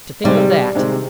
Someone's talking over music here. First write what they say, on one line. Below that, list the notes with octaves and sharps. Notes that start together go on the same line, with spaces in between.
'To think of that!
C3 D#3 G3 G#3 C4
C3 D#3 G#3 C4